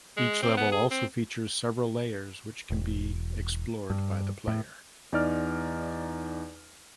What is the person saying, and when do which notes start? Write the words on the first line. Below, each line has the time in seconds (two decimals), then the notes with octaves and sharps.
Each level also features several layers which can be explored by the player.
0.17 G#3
0.43 C4
0.57 B3
0.72 G#4
0.91 C4
2.70 E1
3.90 G2
4.48 A2
5.12 E2 D#4 D5 F6